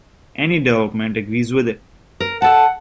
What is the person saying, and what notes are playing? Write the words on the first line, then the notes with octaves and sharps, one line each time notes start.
Any development agrees with it.
A#4
A4 F#5 A5